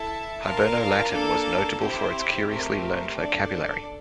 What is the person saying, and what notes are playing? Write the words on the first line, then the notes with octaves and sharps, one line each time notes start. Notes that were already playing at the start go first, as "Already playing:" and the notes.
Hiberno-Latin was notable for its curiously learned vocabulary.
Already playing: E4 A4 E5 A5
D4 F4 A#4 F5 A5
A#3 D4 A4
C4 E4 G4 C5
A3 C4 G4 A#4
D4 A4 D5